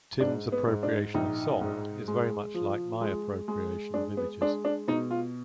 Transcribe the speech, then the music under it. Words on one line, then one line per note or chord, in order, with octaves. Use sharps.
Tim's appropriation of song is very much like my appropriation of images.
G#2 D4
B3
G#2
D4
A#1 D#4
G#2
G#3
F3
G#3
G#3
G#3 D4
B3
G#3 D4
D4
B2 D#4
F4